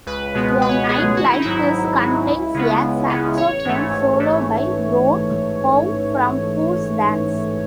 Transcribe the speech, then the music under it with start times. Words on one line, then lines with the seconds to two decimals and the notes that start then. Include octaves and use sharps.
"A Night Like This" contains a saxophone solo by Ron Howe from Fools Dance.
0.06 C#2 B4
0.34 B2 G#3 B3
0.61 C#2 B4
0.69 C#5
0.78 B4
0.89 B2 G#3 B3 G#4
1.16 G#1 F#4
1.25 E4
1.33 D#4
1.42 G#2 F#3 E4
1.72 G#1
2.00 G#2 F#3
2.27 C#2
2.54 C#3 G#3 B3
2.82 C#2
3.10 C#3 G#3 B3
3.37 A1 C#5
3.60 C#5
3.65 G#2 E3 A3
3.93 A1
4.20 E3 A3